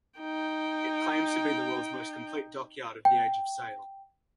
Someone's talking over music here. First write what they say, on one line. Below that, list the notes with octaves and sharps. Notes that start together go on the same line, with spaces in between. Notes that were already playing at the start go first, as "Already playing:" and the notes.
It claims to be the world's most complete dockyard of the Age of Sail.
D#4 G5
G5